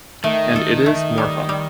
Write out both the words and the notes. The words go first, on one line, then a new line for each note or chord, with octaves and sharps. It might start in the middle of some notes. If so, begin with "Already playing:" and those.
And it is more fun.
D#3 A3
A4
A3
G3
G3